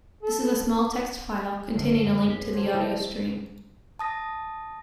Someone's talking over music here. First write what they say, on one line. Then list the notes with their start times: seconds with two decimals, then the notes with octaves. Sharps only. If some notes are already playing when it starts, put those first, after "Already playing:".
This is a small text file containing a link to the audio stream.
0.23 A4
1.74 G1 C7
2.02 F#2 B3
2.30 B6
2.54 A3 B3 C#4 G4 C5
2.73 G3 A3 E4 A4 D#5 E5
3.99 A5 D#6 A#6